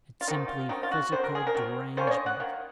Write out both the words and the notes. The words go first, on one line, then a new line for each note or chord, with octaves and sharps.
It's simply physical derangement.
F4
D#3 F#3 C4 D#4
F4
D#3 F#3 C4 D#4
F4
F#4
D#3 F#3 C4 C5
A#4
G#4
A#4
D#3 F#3 C4
D#3 A#3 C#4 C5
C#5
D#5
F#5
D#3 A#3